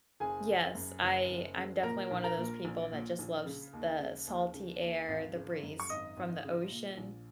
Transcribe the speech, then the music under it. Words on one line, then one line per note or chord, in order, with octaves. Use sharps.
Yes, I I'm definitely one of those people that just loves the salty air, the breeze from the ocean.
F#1 G#4 G#5
C#3
F#2
F#1
F#1
C#3
A#2 A#4 A#5
A#1
A#4 A#5
A#2
A#1
A#2
A#1
C#3
D#2
C#3
D#2
C#3
D#2
G#1
C#3
F#2
C#6
G#1 D#5 D#6
G#1
C#3
A#2
A#1